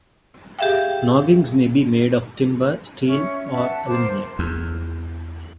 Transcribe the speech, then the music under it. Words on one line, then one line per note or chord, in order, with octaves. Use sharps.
Noggings may be made of timber, steel, or aluminium.
G4 G#4 E5 F5 G5
C#4 E5
B4 E5 F#5 A5
A#4 C5 A5 D6
E2